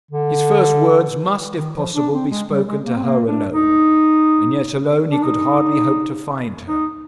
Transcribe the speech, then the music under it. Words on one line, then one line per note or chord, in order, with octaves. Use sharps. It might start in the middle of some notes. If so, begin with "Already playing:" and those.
His first words must, if possible, be spoken to her alone; and yet alone he could hardly hope to find her.
D3
D#3
F3
D4
C4
G#3
G3
G#3
A#3
C4
A#3
D4
D#4
D4
D#4
D#4